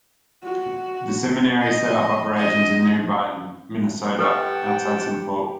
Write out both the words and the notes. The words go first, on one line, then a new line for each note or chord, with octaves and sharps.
The seminary set up operations in New Brighton, Minnesota, outside Saint Paul.
F#4
D#5
D#5
G4 A4 B4 F#5 G5 A5 C#6